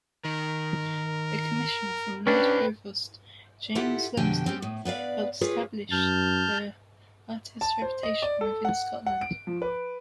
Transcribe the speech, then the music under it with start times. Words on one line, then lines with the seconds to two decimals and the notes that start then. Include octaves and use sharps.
A commission from Lord Provost James Lumsden helped established the artist's reputation within Scotland.
0.25 D#3 A#4
2.27 C#4 D4 G4 B4 C5 D5 G5
3.75 E4 F4 G4 A4 F#5
4.17 F2 B2 D3 G4 G5 G#5
4.46 C4 C#4 G4
4.62 A2
4.85 B3 B4 D5 F5
5.41 F4 G4 G#4 B4 C#5
5.91 F#2 A5 F6 G6
7.61 A5
7.82 C5
8.03 D#5
8.22 D5
8.41 A4
8.65 F#5
9.06 F#5
9.21 D7
9.47 F3
9.62 B4